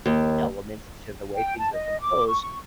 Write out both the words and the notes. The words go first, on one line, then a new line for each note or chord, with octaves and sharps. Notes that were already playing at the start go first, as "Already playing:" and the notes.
element to the way things are composed.
D#2
G5
A5
D#5
D6
C#6